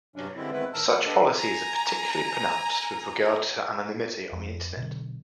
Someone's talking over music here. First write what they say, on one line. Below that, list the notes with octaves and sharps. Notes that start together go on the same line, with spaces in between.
Such policies are particularly pronounced with regard to anonymity on the Internet.
G2 C3 F#3 C#4 D4
D3 E3 G3 G#3 C4 E4
D#3 G#3 B3 C4 E4 B4
A2 D#3 A#4 A5 E6
F3 F#5
A#3 D4 G4 A4 B4 D#5
G#5 A#5
F2 F3
B2 D3 F#3